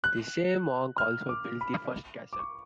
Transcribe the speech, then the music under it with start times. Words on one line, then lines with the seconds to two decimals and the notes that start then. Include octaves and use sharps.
The same monk also built the first castle.
0.04 F#6
0.98 F6
1.29 D6
1.61 B5
2.33 D6
2.39 C#6